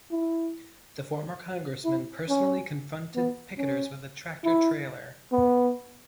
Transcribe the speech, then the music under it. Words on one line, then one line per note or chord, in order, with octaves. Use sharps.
The former congressman personally confronted picketers with a tractor trailer.
E4
E4
C#4
B3
C#4
E4
B3